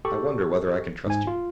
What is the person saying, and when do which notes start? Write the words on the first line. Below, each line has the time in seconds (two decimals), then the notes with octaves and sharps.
I wonder whether I can trust you?
0.05 G4 A4 C#6
1.06 G#2 G#5
1.27 F4